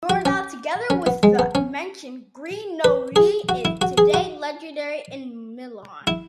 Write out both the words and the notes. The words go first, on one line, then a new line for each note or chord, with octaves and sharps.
Nordahl, together with the mentioned Gre-No-Li is today legendary in Milan.
F#4
C#4
C#4
B3
G#3
B3
C#4
B4
G#4
F#4
E4
F#4
G#4
F#4
E4